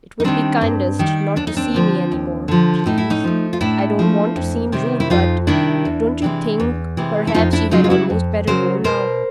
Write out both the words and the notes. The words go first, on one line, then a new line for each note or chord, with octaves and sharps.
It would be kindest not to see me any more, please. I don't want to seem rude, but--don't you think--perhaps you had almost better go now.'
D#4
D#3 G3 C4 D4
G2
D#3 G3
D#2 D4
D#4
C4 D4
D3 F3
D#2
D3 F3
A2 D#4
E4
C#4 D#4
F3 A3
F4
A2 D4 E4
F3 A3
F2
C3 D#3 G3
E4
F2 D#4 F4
C3 D#3 G3 D4 E4
E2
C3 E3 G#3
E2
C3 E3 G#3
E4
F2 D#4 F4
D4 E4
C#3 F#3 D#4 F4
F4
E4 F#4
F2
C#3 F#3 A#4 C5
B2 A#4 C5